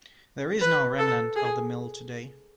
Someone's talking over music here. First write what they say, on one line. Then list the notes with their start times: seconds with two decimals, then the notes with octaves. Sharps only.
There is no remnant of the mill today.
0.61 B4
0.98 A4
1.36 G#4